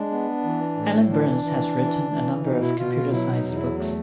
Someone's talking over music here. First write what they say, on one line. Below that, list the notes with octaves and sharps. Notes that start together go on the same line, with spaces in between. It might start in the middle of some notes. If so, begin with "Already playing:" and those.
Alan Burns has written a number of computer science books.
Already playing: G#3 D4
B3
E3
A2
E3 D4
E3
E3
E3
B2 D#4
E4
B2 F4
F4
F#3 E4
D#4
E2 D#4
E4
A3